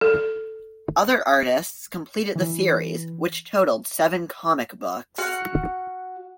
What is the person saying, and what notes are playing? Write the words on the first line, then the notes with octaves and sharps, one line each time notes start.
Other artists completed the series, which totaled seven comic books.
A4
E3
F#4 F#5 F6